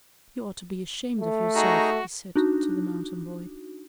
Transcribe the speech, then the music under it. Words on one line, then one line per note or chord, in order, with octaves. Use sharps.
"You ought to be ashamed of yourself," he said to the mountain boy.
A3
D#4 F#4 G#4 A#5
D4 D#4 F#4